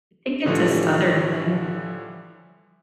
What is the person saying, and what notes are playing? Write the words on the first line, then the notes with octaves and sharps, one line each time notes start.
I think it's a Southern thing.
A2 D3 E3 F3 G3